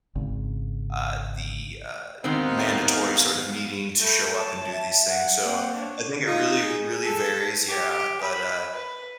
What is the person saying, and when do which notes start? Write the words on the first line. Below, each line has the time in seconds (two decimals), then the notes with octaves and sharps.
Uh, the, uh, mandatory sort of needing to show up and do these things. So, I think it really, really varies, yeah, but uh
0.15 G#1 C#3
2.24 D#2 G#2 D#3 B3 C4 D#4 F5
4.01 A3 B5 G6
4.34 C#5 A5
4.73 E5
5.08 F#5
5.45 A#3 C4 F#5
5.77 D4 C#5
6.27 D#4 F4
6.63 G#4
7.05 A4
7.68 G4
8.21 B5
8.74 B4